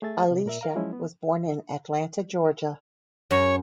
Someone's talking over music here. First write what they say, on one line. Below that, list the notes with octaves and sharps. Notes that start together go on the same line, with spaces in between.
Alicia was born in Atlanta, Georgia.
A3 G#4 E5 A6
C3
A#2 A#4 E5
A#4 F5 A#5
F3 F#3 G#3 C#4 E4
B3
F#2 C#5